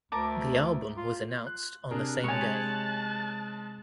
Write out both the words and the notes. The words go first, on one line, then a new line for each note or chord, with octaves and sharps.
The album was announced on the same day.
D2 A#4 A5 D6
F4
F#6
C3 D4 G#4 A#4
G#3 C#5 G#5 A5 F#6